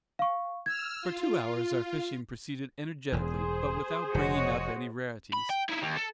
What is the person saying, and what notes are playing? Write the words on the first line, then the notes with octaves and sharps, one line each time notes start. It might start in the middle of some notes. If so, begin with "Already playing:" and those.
For two hours our fishing proceeded energetically but without bringing up any rarities.
F5 C#6
E6 F6 G#6
F4
E1 E2 G#4 C5
F1 F#4 C#5 D#5
B5
G5
D#4 E4
D#2
A4